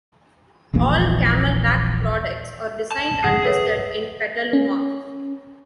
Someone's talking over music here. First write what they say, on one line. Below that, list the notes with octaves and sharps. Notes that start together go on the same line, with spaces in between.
All CamelBak products are designed and tested in Petaluma.
D#1 A#1 E2 A#3
A5
G#4 F#5
B4 C#5
C#4